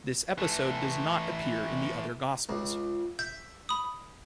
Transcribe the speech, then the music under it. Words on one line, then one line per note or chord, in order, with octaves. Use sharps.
This episode does not appear in the other Gospels.
E3 A3
C#2
E5 G6
B5 D#6